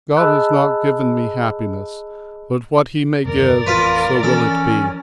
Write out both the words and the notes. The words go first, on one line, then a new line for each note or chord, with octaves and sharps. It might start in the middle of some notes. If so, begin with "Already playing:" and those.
God has not given me happiness, but what He may give, so will it be.
G#4 D#5 A5 B5 E6 F#6
F#1 D#2 A#4 D5
A1 F2 A2 F4 B4
E3 F3 C#4 A4